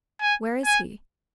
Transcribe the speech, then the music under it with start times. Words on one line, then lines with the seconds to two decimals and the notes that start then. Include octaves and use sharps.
"Where is he?"
0.21 G#5
0.66 G#5